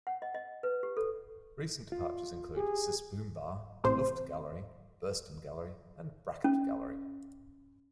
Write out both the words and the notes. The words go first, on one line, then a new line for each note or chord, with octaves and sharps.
Recent departures include Sis Boom Bah, Luft Gallery, Burston Gallery and Brackett Gallery.
F#5
D#5
D#5
B4
G4
A4
F4
G4 G#4
A1 A2 C3 C5
C#4